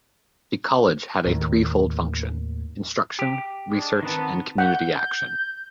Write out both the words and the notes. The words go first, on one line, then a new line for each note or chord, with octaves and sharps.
The college had a three-fold function - instruction, research, and community action.
D#2 A2 D#3
G4
G#3 D4
D#3 B3 C4 A5
F#5 G6